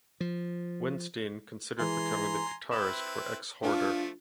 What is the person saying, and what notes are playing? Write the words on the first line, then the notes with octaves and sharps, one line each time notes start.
Windstein considered becoming the guitarist for Exhorder.
F3
E3 G#3 G#5 A#5 C6
C4 E4 B4 E7
F3 A3 D4 F4